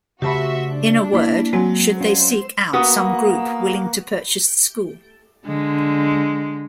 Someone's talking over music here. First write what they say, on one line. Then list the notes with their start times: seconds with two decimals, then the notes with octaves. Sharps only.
In a word, Should they seek out some group willing to purchase the school?
0.22 C#3 A3 F#4 G4 C5 E5 A5 B5
0.71 D4
1.13 A#3 E4 B6
1.53 F#3 G#3 C4
2.01 C#4 C5 D5 F5
2.73 A#3 B3 F#4 D#6
5.46 D3 G#3